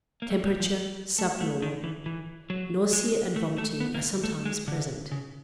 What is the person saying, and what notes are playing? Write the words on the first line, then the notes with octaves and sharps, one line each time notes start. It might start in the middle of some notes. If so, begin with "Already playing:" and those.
Temperature subnormal. Nausea and vomiting are sometimes present.
A#3
A3
G3
F3
A3
A3
D#3
E3
E3
F#3
G#3
A3
A3
B3
A#3
A3
G#3
D3
C#3